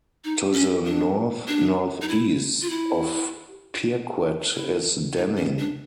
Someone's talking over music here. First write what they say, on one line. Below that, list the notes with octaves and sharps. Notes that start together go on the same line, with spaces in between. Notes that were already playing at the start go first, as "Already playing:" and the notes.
To the north-northeast of Pirquet is Denning.
D#4
C#4
D4
D4
D#4
E4
F4
E4
E4
D#4
C#4
D4